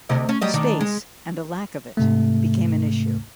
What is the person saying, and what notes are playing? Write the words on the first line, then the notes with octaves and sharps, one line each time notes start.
Space, and a lack of it, became an issue.
D2 C3 D#5
C#4
F#3 G3 D#5
D#3 D4
G#3
G#2 C3 A3